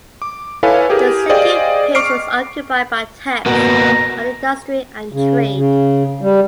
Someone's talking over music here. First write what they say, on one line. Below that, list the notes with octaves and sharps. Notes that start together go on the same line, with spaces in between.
The second page was occupied by texts on "Industry and Trade".
D6
E4 A4 B4 C#5 F5 G#5
G4 G#4 A#4
G#4 C5 D5 D#5 F5 G5
C#6 D6 F6 C7 D7
A#3 B3 F#4 A#5
C#3
C#3
G3